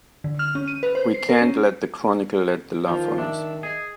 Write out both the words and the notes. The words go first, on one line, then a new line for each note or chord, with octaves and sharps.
We can't let the Chronicle get the laugh on us!
D3
F6
C#4
D#7
B4
C5
C7
A#4
C#4
D#3 F3 F4
D4 E5
G#4 D#5